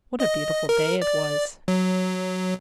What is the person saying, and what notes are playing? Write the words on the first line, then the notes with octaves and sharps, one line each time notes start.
What a beautiful day it was!
D#5
A#4
D5
F#3